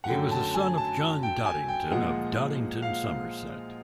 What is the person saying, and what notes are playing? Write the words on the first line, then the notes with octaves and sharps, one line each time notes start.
He was the son of John Dodington of Dodington, Somerset.
F#5
F#2 D3 F#3 A3 G5
A5
G#5
A5
G5
G#5
G5
A#2 F3 G#3 F#5
F5